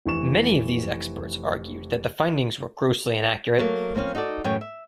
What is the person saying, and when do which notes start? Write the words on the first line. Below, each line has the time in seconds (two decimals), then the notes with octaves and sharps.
Many of these experts argued that the findings were grossly inaccurate.
0.06 F1 E3 C#6 E7
3.59 F#3 A3 A#3
3.95 F3 A#3 C4 C#4 F5
4.15 D#4 F#4 A4 D5
4.44 F#2 A2 E3 C#4 C#5 G5
4.61 E5